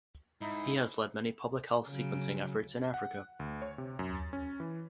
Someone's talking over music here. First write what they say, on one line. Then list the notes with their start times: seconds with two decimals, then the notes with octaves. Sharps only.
He has led many public health sequencing efforts in Africa.
0.41 G#2 D#4 E4
1.88 C#3 F#3
2.94 F#5
3.40 D2
3.62 C#5
3.78 C3
3.99 F#2
4.15 A6
4.33 C#4
4.60 E3